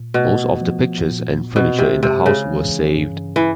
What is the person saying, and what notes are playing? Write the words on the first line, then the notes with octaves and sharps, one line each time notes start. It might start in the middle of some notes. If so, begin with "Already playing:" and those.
Most of the pictures and furniture in the house were saved.
Already playing: A#2
B2 A3
F3
A#2
B2 C4
C3
C3 G#3
C#3
E3
G2
E3